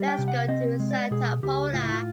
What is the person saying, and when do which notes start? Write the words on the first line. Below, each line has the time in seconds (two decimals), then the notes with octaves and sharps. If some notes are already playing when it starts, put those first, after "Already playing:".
Let’s go to Santa Pola.
Already playing: G3
0.08 G5
0.18 C3
0.28 F#5
0.49 C4 D#5
0.80 G#3
0.91 D5
1.11 B2 G#4
1.43 C#2 G4
1.73 A2 F4
1.82 E4
1.92 F4